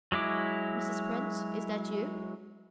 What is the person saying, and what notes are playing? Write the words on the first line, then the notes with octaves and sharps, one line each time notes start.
"Mrs. Prince, is that you?"
F#3 G#3 E4 D6